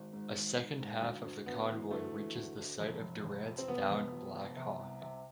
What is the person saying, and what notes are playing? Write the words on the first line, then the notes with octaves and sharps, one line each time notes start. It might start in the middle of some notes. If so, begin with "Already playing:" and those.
A second half of the convoy reaches the site of Durant's downed Black Hawk.
Already playing: G#1
G#2
G#1
G#2
G#2
D2
D2
D2 B3
E3
D2 A3
E3
D2
D2
F1
F1
F1
F2
C4
F1 B3
F1
F2
F1
C3
C2
C3